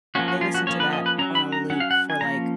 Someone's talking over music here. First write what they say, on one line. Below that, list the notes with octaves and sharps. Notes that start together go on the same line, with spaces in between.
listened to that on a loop for like
F3 A#3 C#4 F#4
F#4
F4
F#4
F3 A#3 C#4 C#5
B4
D#5
B4
F#3 C#4 A#5
B5
A#5
F#3 C#4 F#5
F5
F#5
G#5
F3 A#3 C#4 A#5